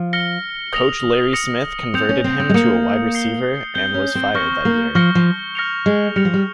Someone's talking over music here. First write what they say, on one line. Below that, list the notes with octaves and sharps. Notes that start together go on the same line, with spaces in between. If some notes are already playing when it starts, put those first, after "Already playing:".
Coach Larry Smith converted him to a wide receiver and was fired that year.
Already playing: F3
F6 A#6 C#7 G7
D#6 A#6 C#7 F7
D#6 A#6 C#7 F7
C4 D#6 G6 C#7 F7
C#4
C4
C4
G#3
A#3 D#6 G6 C#7 F7
G6 C7 G7
C4 G6 C7 G7
C#4
C4
C4 C#6 F6 A#6 C#7 G7
A#3
F3 C#6 F6 A#6 C#7 G7
F3
F6 A#6 C#7 F7
G#3
G3 F6 A#6 C#7 F7
F3
G3